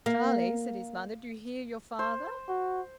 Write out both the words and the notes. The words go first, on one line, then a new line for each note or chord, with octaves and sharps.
"Charlie," said his mother, "do you hear your father?"
A#3
C5
F#4